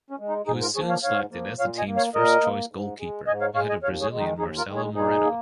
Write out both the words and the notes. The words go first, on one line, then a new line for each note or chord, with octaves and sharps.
He was soon selected as the team's first-choice goalkeeper, ahead of Brazilian Marcelo Moretto.
C#4
G#3
D#4
G#2 D#4 G#4
F4 A#4
F3 A#3 G#4 C#5
C#5 F5
G#2 C#5 F5
F3 A#3
A#2 C#5 F5
D#5 G#5
A#3
C#5 F5
A#2 A#4 D#5
A#3
G#2
G#3
G#2 D#5 G#5
C#5 F5
G#3 C#5 F5
D#5 G#5
D#2 C#5 F5
G#4 C#5
D#3 G#3
D#4
D#2 D#4 G#4
F4 A#4
D#3 G#3
G#4 C#5
A#2 D#4 G#4
A#3